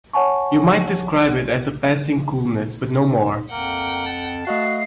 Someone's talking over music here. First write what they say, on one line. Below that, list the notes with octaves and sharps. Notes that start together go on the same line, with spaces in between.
You might describe it as a passing coolness, but no more.
C#5 F#5 G#5 A5 C#6
F2 A#3 A#4 F#5 G5
A5
A3 F#4 D#5 F5 C7